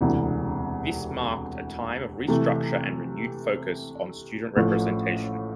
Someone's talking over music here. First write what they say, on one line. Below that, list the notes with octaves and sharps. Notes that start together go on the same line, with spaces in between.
This marked a time of restructure and renewed focus on student representation.
E1 D2 C3 E3
C3 E3 A3
A1 A2 F3 A3